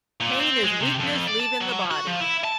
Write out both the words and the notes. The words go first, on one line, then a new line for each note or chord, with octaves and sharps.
Pain is weakness leaving the body.
A#2
C4
G#3
C3
F2
D5
A5
F#3
F#4
F3
E4
A5